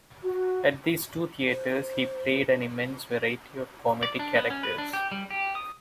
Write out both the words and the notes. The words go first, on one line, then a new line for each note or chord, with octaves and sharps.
At these two theatres he played an immense variety of comedic characters.
F#4
C5
D5
D4
B3
C#4
B4
D4
G4
G3
G4
D#6